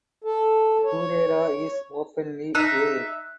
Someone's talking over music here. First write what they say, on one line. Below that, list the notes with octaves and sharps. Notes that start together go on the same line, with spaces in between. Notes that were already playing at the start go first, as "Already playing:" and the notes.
Guerrera is openly gay.
A4
C#5
D#4 E5 F#6